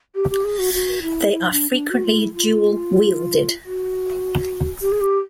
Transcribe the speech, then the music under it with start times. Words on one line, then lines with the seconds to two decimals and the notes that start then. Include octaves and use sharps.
They are frequently dual wielded.
0.15 G4
0.30 G4
0.44 G#4
0.59 F#4
0.74 F#4
1.02 E4
1.32 E4
1.45 D#4
1.52 D4
1.71 D4
1.90 F#4
2.04 F4
2.19 E4
2.34 F4
3.65 F#4
4.82 G4
4.92 G#4
5.01 G4